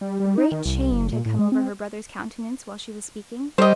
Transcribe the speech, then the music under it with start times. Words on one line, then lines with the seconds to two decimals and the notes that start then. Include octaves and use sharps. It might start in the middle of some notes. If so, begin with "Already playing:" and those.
A great change had come over her brother's countenance while she was speaking.
0.01 G3
0.20 G3
0.38 D#4
0.52 D#3
0.65 C2
0.92 F#1
1.13 A#2
1.26 A2
1.39 G#3
1.52 C4
3.58 G3 C5 D#5